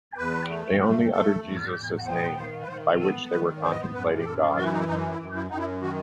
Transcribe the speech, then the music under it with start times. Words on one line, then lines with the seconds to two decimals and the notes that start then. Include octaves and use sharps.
They only uttered Jesus' name by which they were contemplating God.
0.18 E2 B4
0.49 A3
0.80 A3
1.12 A3 A4
1.43 E2
1.74 E2
2.06 B3 C5
2.14 D#5
2.22 C5
2.36 D#3 C5
2.62 B4
2.68 D#3 C5
2.99 B3 A4
3.31 D#3 B4
3.62 B3 C5
3.71 D#5
3.81 C5
3.93 F#2 B4
4.19 G4
4.25 F#2 A4
4.56 E3 F#4
4.64 E4
4.72 D#4
4.79 E4
4.88 F#2 D#4
5.11 E4
5.19 F#2
5.35 E4
5.50 F#2 D#4
5.58 E4
5.82 D#3 F#4